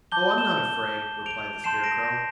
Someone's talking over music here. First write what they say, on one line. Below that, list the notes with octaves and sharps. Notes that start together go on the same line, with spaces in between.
"Oh, I'm not afraid," replied the Scarecrow.
A5 D6 G6 G7
E7 G7
D7 F7
A5 C6 G6 C7 E7
A#6 D7
G6 A#6